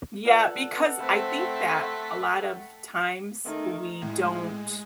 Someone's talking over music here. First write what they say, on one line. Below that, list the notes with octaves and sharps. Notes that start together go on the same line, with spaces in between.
Yeah, because I think that a lot of times we don't
F4 A4 B4 D5 F#5
A3 C4 C5 B5
G5 B5
D#3 A3
A2 G#3